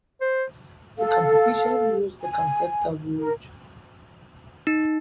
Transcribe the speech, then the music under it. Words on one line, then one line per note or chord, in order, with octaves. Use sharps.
The competition used the concept of 'rouges'.
C5
A4 F5
G#5
A#4
D#4